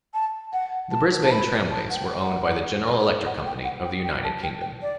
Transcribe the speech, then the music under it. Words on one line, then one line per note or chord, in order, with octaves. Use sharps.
The Brisbane tramways were owned by the General Electric Company of the United Kingdom.
A5
F#5
A5
A5
B5
A5
F#5
G5
F#5
F#5
G5
F#5
G5
G5
A5
G5
G5
D5